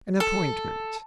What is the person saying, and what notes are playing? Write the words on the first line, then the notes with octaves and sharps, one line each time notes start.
"An appointment."
A4